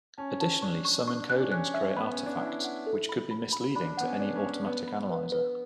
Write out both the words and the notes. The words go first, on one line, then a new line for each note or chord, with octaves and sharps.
Additionally some encodings create artifacts which could be misleading to any automatic analyser.
C#4 A5
A5
D4 C#6
C#6
D4 C#6
C#4 F#6
D4
C#4 F#6
E5
B3 B5
C#4
C#5
D4
E4 F#5
F#5
A4
B5
B5
B5
D4 B5
B3 F#5
C#4
D4 D5
C#4
D5
C#4
B3 B4
B5
B4
B4